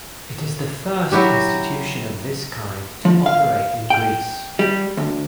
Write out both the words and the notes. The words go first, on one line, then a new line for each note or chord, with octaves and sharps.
It is the first institution of this kind to operate in Greece.
F#3 E4 F#4 G4
F3
F5
G5
G3
D2